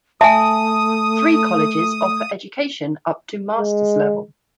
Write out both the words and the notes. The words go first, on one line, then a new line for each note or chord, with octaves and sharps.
Three colleges offer education up to Master's level.
A3 E5 G#5 A5 D#6
G#3